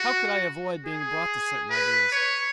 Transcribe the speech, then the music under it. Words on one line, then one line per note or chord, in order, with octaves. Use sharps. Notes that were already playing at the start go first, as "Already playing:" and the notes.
How could I avoid being brought to certain ideas?
Already playing: F#4
G#4
B4
C#5